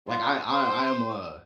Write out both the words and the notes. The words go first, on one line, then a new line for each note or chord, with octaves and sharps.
Like, I I I am a
F4
C5